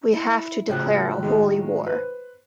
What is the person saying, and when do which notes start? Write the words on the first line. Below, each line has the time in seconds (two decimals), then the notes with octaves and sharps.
We have to declare a holy war.
0.13 E4
0.69 A2 C#3 F3 F#3 G5 F#6
1.19 D#3 G#3
1.86 B4 C5